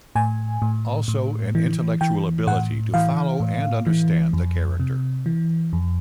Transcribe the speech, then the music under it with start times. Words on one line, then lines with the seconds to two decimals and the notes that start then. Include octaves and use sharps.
Also an intellectual ability to follow and understand the character.
0.15 A2 G#5
0.62 A2
1.08 A2
1.55 E3
2.01 E3 G5
2.47 A2 F#5
2.94 E3 F5
3.40 A2
3.87 E3
4.33 F2
4.80 C3
5.26 E3
5.73 F2